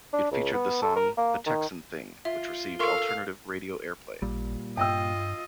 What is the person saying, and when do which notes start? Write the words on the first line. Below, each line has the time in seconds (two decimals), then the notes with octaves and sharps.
It featured the song, "The Texan Thing", which received alternative radio airplay.
0.13 D4
0.31 C#2
0.53 B3
0.82 A4
0.96 A#4
1.17 A#3
1.46 D#3
2.25 F4 E5
2.79 A4 A#4 F5 C6 C#6
4.22 A1 A#2 G3
4.77 G2 F4 D#5 G5 E6